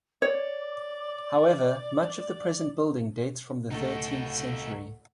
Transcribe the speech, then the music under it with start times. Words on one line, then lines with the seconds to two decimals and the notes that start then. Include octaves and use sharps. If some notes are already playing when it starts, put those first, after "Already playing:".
However, much of the present building dates from the thirteenth century.
0.22 C#5 D5 D6
3.71 C#2 A2 A3 D#4 A4 F#5 C#6